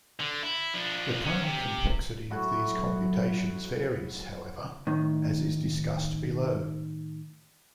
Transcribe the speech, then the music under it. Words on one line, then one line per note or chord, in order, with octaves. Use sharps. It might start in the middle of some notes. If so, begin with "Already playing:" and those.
The time complexity of these computations varies, however, as is discussed below.
D3
E4
F3 D4
F#3 C#4
C3
F#3 E4 F#4 A4
A2 D#3